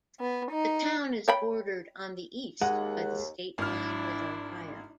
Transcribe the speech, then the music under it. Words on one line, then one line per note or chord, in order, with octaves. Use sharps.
The town is bordered on the east by the state line with Ohio.
B3
D#4
C#5 G5 B5
D#2 G#3 F#5
G#1 D4 E4 F6